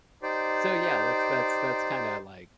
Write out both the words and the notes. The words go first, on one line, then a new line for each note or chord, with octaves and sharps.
so, yeah, that's that's that's kinda, like,
D#4 G4 C5 D5